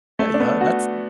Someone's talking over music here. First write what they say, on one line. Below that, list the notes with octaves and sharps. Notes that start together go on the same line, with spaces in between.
A yeah, that's
A3
D4
B3
F#4